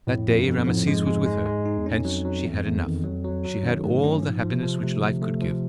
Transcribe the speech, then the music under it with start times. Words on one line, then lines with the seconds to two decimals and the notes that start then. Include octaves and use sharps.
That day Rameses was with her; hence she had enough, she had all the happiness which life could give.
0.07 F2 A2
0.27 F2
0.38 G2
0.47 F2
0.67 G#2 F3
0.75 A2
0.84 G#2 G#3
1.07 G#3
1.26 G#3
1.46 G#3
1.66 D#4
1.78 E2
1.86 F2 C#4
2.05 F#3
2.25 F#3
2.44 E2
2.65 E2
2.85 D#3
3.04 F#3
3.25 F#3
3.44 F#3
3.63 F#2 D#3
3.84 G#2 A3
4.03 G2 C#4
4.23 G#2 F3
4.42 F3
4.52 C3
4.62 F3
4.82 C3 A3
5.02 D3
5.22 A3
5.42 F3